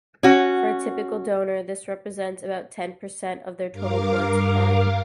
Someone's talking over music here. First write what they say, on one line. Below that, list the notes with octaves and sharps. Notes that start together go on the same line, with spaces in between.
For a typical donor this represents about ten percent of their total blood supply.
C#4 F#4
G2 A#4 F5 D6